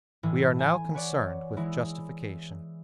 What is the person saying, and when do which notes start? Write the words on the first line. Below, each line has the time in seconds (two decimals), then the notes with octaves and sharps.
We are now concerned with justification.
0.23 A1 A2 E3
0.59 G#5
0.94 B4 C#5 D5 F#5
1.57 E3 G#3 E4